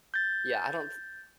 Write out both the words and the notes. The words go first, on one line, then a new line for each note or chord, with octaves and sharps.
Yeah, I don't th
G6 A6